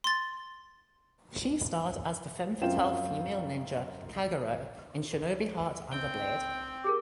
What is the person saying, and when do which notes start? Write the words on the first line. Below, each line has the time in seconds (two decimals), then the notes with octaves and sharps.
She starred as the femme fatale female ninja Kagero in "Shinobi Heart Under Blade".
0.04 C6 A6
2.61 F#2 C4 F4 G5 E7
5.93 C4 G5
6.84 G4 G#4 A#4 D6